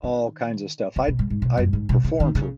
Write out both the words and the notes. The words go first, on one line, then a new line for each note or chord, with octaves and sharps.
All kinds of stuff. I'd I'd performed for
D#3
C#3
B2
G#2
G#2
B2
F#2
G#2
B2
C#3
D#3
C#3